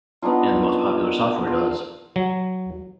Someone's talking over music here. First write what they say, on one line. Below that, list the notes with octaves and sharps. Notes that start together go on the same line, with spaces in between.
And the most popular software does.
B3 D4 D#4 F4
F4
F#3